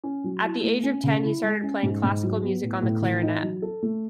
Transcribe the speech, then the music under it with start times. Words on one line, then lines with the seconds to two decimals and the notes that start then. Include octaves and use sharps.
At the age of ten he started playing classical music on the clarinet.
0.04 C#4
0.24 F#3
0.43 E4
0.64 A3
0.83 C#4
1.04 C#3
1.23 E4
1.43 G#3
1.63 C#4
1.83 G#2
2.03 G#2
2.23 F#3
2.43 B3
2.62 A2
2.82 A2
3.02 E3
3.22 D#4
3.42 F#3
3.62 A4
3.83 A3